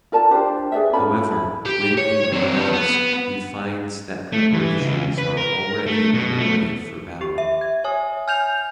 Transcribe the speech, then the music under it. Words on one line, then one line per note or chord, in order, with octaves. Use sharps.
However, when he arrives, he finds that preparations are already underway for battle.
F4 A#4 D5 A5
D4 F4 G4 C5
G#4 B4 D5 E5
C#4 F4 A4 B5
F4
E4 B5
G4
C#5
C4 D4
G4 B4
B3
A3
E3
C#2
B4
A#4
A3
B2
A3
G4 C#6
E5
G#6
C#5 G#5 D#6
G#5 F6 G6 F7